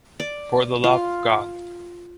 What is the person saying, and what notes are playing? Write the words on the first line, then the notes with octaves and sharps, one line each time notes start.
For the love of God.
D5
F4